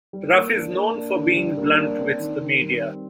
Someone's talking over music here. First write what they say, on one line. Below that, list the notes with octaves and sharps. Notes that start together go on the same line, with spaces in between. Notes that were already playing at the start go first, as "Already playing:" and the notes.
Ruff is known for being blunt with the media.
G3
A#3
D4
A#3
D4
D3
G3
A#3
D4
C4
D#3
D#3
G3
C4